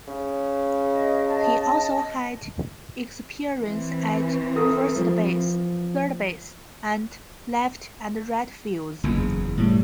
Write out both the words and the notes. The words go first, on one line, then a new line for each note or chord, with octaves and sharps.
He also had experience at first base, third base, and left and right fields.
C#3
D#5
D#5 A5
E3 C4
A4 A#4 D#6
F3
F#1 E2
A2 G3